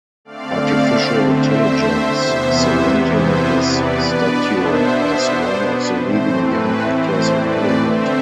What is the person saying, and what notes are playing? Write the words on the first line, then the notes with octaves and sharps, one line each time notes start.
Artificial Intelligence, cementing his stature as one of the leading young actors in Hollywood.
D3 A3 C4 D5 F5
C5 E5
E2 C3 E3 B3
C5 E5
B4 D5
B2 B3 D4 B4 D5
C5 E5
C5 E5
C5
B4
A2 E3 A3 C4 C5
B4
C5
B4 D5
D3 A3 C4 C5 E5